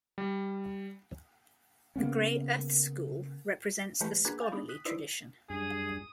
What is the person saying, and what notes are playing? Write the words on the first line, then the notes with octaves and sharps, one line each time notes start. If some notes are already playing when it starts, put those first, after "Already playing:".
The "Grey Earth" school represents the scholarly tradition.
G3
C#3 A#3 B3 C#4
E3 G#3 A3 G4 B4 C#5
A#3 D4 F#4 G#4 B4
F5 G#5 G6 A6
B3 D4 D#4
D#6 F#6 B6
D#4 E4 B4 C5 D5
F#2 G3 D4 G#4 D#6